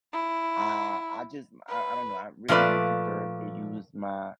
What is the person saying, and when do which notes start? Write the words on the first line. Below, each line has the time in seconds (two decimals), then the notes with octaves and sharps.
I I just, m I I don't know, I really do prefer to use my
0.13 E4
1.68 B4
2.48 A#2 F3 A3 B4 D5